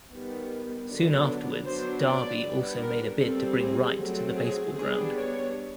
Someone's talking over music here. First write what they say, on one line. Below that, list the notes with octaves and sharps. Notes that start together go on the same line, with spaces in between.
Soon afterwards Derby also made a bid to bring Wright to the Baseball Ground.
D#3 G3 B3
D3 F#3 B3 D4
F#3 B3 D4 C5
D5
G3 B3 D4
A#4
G3 C4 A4
G#4
F#3 A3 C4
G#4
G3 B3 D4 G#4
C#5